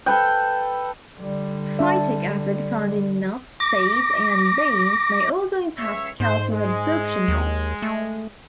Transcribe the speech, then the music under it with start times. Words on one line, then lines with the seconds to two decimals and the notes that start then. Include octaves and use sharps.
Phytic acid found in nuts, seeds, and beans may also impact calcium absorption rates.
0.06 A4 B4 G5
1.17 D3 G3
1.79 D4 E5
3.60 D6 A#6
5.78 C#2 C#5 E5
6.20 G#2 C5
6.52 G#3
7.28 D#2
7.82 A3